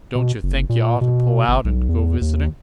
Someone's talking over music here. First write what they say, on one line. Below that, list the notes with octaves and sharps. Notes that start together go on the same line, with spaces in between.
"Don't yuh think yuh ought to pull out and go visiting?"
B2
F#1
A#2
B2
G1
B1
E2
D#2